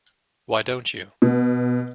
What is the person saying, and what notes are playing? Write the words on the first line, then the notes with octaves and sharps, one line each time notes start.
Why don't you?
B2